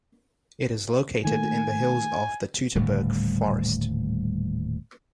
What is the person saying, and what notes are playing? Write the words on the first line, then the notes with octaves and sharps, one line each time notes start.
It is located in the hills of the Teutoburg Forest.
D#3 A3 A#3 G#5
D#1 A2 D3 G3